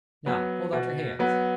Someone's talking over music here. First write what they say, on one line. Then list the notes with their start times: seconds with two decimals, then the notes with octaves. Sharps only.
"Now hold out your hands."
0.26 F#3 B3
0.73 B2
1.19 F#3 B3